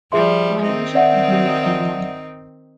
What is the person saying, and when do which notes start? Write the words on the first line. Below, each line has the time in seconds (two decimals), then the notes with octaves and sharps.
Polynesia could mimic any one.
0.12 F3 G3 G#4 E5 C6
0.64 D#3 C4 D#4
0.95 D5 E5 F#5